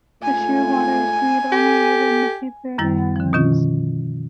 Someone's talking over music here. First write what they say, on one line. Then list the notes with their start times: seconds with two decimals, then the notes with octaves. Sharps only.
The shearwaters breed only within the Cape Verde Islands.
0.23 G#2 A3 F4 G#5
1.52 G4 A4
2.78 F#2 D#3 G3 E4 A6
3.16 D3 F3
3.33 B2 D#3 C#4 F4 F6